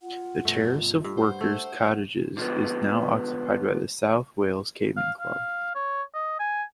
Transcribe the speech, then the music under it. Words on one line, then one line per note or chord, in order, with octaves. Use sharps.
The terrace of workers cottages is now occupied by the South Wales Caving Club.
F4 F#5
G2 B2 A3
G2 D4
C5 F#5
A3
D3 F3 G#3 B3
F5
F5
C#5
D#5
G#5